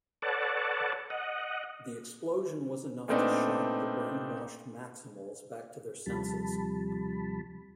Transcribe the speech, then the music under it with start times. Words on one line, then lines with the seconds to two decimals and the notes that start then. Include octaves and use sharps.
The explosion was enough to shock the brainwashed Maximals back to their senses.
0.22 A4 B4 C#5 D5 F#5 A5
1.10 D#5 F#5
3.08 A#2 A3 B3 C4 D4 D#4
6.06 D#2 C3 F3 G3 A5 B5